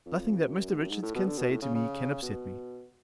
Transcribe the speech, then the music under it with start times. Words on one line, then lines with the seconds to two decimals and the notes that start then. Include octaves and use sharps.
Nothing that Mr Richards can say to me can upset me.'
0.06 F2
0.41 F#2
0.71 G#2
0.78 F#2
0.90 G#2
1.03 A2
1.15 B2
1.27 D3
1.38 B2
1.50 A2
1.62 C#3
1.75 C#3
2.22 B2